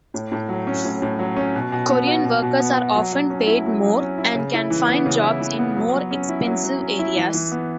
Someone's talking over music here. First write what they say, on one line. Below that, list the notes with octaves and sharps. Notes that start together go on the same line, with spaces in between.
Korean workers are often paid more and can find jobs in more expensive areas.
A2
A2
F#3
C#4
A2
A2
F#3
C#4
B2
B2
B3
F#4
B2
B2
B3
F#4
F#3
F#3
C#4
E4
F#3
F#3
C#4
E4
C#3
E4
E3
B3
C#3
E4
E3
B3
F#3
F#3
C#4
E4
F#3
F#3
C#4
E4
E3
E3
B3